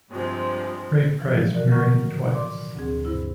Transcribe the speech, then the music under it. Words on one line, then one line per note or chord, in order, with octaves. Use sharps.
Ray Price married twice.
G2 C3 F3 G#3
B2 E3 F3
A2 D3 F#4 A#4 D5
C#3 A#4 F#5 A#5 C#6 F6
D5 C6 D6
D2 C4 G#4
G2 C3 E4